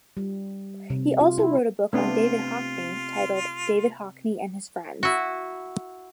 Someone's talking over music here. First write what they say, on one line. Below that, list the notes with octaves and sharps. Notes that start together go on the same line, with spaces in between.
He also wrote a book on David Hockney titled "David Hockney and his Friends".
G3
C3
F4
E4
C3 A3 B3 D4 F4
E4 F#4